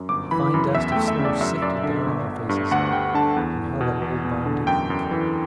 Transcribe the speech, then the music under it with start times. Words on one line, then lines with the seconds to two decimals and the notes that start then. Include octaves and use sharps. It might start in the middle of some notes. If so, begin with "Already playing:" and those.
A fine dust of snow sifted down on our faces; and how that old barn did creak!
Already playing: F#2
0.09 G1 D6
0.31 E3 B5
0.54 F#2
0.75 E2 E5
0.92 A3 G5
1.08 E5
1.19 C#3
1.25 D5
1.41 F#2 E5
1.62 F#2 D5
1.83 D3 E5
2.06 G1
2.27 G1
2.49 G2
2.71 D2 F#5
2.93 D2 G5
3.14 D3 A5
3.36 E2
3.59 E2
3.81 B2
4.02 E2
4.25 E2
4.46 D3
4.67 F#2 G5
4.90 F#2
5.11 E3